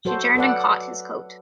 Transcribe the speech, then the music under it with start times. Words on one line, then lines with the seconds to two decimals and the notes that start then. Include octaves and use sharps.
She turned and caught his coat.
0.05 F#3 F#4 A4 C5
0.35 A4 B4 D5 F#5